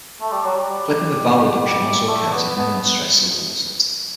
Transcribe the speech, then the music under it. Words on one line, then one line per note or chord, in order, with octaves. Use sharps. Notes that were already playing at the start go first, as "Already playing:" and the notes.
Clipping with vowel reduction also occurs in many unstressed syllables.
A3
G3
F#3
G3
G3
A3
B3
B3